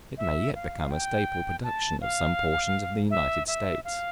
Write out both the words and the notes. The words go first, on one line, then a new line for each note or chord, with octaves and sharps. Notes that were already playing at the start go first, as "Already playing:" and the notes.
It may yet become a staple production of some portions of the United States.
E5
F5
G5
A5
F5
E5
E5
F5